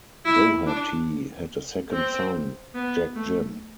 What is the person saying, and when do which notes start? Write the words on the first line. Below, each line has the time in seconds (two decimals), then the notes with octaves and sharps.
Doherty had a second son, Jack Jim.
0.25 E4
0.66 D4
1.91 C4
2.74 B3
3.15 A3